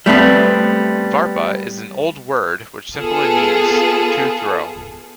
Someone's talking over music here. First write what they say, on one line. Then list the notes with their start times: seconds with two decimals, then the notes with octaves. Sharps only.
"Varpa" is an old word which simply means "to throw".
0.06 G3 A3 B3 C4
2.96 B3 F4 G#4 A4